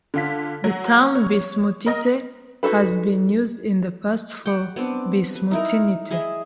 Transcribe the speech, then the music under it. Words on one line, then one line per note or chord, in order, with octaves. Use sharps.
The term bismuthite has been used in the past for bismuthinite.
D3 F4 B6
F#3
C#5
A#4 D#5 A#6
D#4 F#4 A4 B4
F#5 G5
B3 C4 D4
B4
D#4 E4 A#4
E4 G#4 D#5 E5